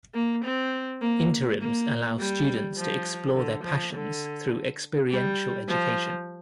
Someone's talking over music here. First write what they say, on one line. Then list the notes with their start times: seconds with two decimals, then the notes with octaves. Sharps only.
Interims allow students to explore their passions through experiential education.
0.14 A#3
0.44 C4
1.02 A#3
1.60 A#3
2.19 G3
2.77 F3
3.35 D3
3.63 F3
3.93 D3
5.10 G3
5.68 F3